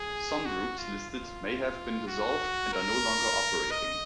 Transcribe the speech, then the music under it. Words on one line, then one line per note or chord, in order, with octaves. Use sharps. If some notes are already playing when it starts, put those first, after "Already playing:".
Some groups listed may have been dissolved and are no longer operating.
Already playing: G#4
F#4
F4
F4
F#4
A#4
D#5